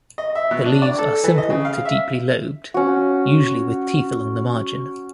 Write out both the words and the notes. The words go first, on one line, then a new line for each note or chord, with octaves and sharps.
The leaves are simple to deeply lobed, usually with teeth along the margin.
D#5
E5
B2
D4
D5
A4
E3
D#5
C#3
F5
E5
C#4 F#4